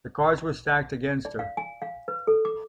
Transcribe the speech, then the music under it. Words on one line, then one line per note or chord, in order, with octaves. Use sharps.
The cards were stacked against her.
D5
F5
G#5
F5
B4
A4
D6